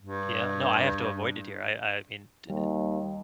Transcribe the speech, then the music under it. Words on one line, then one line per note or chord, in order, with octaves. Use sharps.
Yeah, no, I have to avoid it here. I I mean, t
G2
D#2 G3